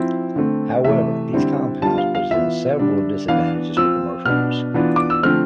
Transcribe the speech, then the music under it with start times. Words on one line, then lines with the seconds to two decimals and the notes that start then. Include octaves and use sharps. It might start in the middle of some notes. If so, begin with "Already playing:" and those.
However, these compounds present several disadvantages for commercial use.
Already playing: F3 C4 E4
0.36 D3 A3 C4
0.85 C3 E3 A3 E5
1.33 D3 G3 C4 E4
1.82 D3 G3 B3 F4 A5
1.98 F5
2.15 F5
2.31 E3 B3 F4 E5
2.79 D3 G3 D4
3.28 E3 B3 D4 F5
3.77 F3 C4 F4 E6
4.25 B2 B3 D4 F6
4.74 E3 B3 D4 F4
4.96 D6
5.10 E6
5.23 D3 F3 A3 C4 F6